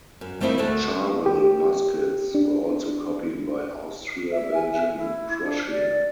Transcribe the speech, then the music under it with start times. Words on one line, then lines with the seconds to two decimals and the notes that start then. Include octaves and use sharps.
Charleville muskets were also copied by Austria, Belgium and Prussia.
0.21 F#2
0.41 G3 A3 A#3 C4 D#4 E4
0.58 D2 A3
1.26 G4
2.35 D4
4.32 E5
4.54 G#5
4.72 E5
4.97 E4
5.42 D4
5.71 D5